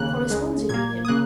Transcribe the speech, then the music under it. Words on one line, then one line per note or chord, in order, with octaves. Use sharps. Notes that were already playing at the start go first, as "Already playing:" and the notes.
"Corresponded with him?"
Already playing: D#2 C#3 A#3 F#6
C#2 C#3 G#3
A#2 A#3 G#6
D#6
C#3 A#3 F#6